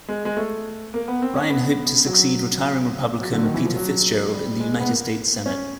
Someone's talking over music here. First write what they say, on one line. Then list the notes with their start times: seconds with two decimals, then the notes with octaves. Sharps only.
Ryan hoped to succeed retiring Republican Peter Fitzgerald in the United States Senate.
0.08 G#3
0.25 G#3
0.37 A3
0.94 A#3
1.08 B3
1.22 C4
1.36 C#4
1.50 B3
2.06 F#3
3.20 F#3
3.33 D3
3.43 D#3
3.54 E3
3.65 F3
3.76 F#3
4.32 G3
4.60 G#3
4.80 B3
4.88 A#3
5.46 C#4